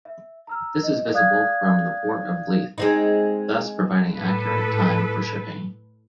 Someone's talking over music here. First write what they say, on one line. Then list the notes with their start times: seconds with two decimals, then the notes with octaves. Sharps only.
This is visible from the port of Leith, thus providing accurate time for shipping.
0.05 E5
0.47 A#5 E6 F6
0.83 D#5
1.13 D5 F5 D#6 F#6 G#6
2.78 G#3 C4 D#4
4.17 A2 A4 B4